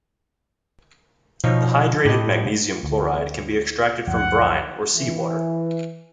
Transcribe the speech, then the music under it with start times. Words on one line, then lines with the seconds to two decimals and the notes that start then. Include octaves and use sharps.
The hydrated magnesium chloride can be extracted from brine or sea water.
1.44 B2 F3 D#4 C#5
2.06 A2 G4 D#5
2.83 D2
4.08 C#2 F#2 F3 F#5
4.96 E3